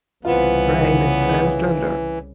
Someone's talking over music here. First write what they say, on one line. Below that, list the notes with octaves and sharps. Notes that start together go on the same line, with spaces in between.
Raine is transgender.
C2 C#3 E3 B3 C4 F4